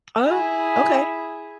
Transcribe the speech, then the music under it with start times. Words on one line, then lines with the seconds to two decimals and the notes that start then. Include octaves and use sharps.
Oh, okay.
0.24 E4 G#4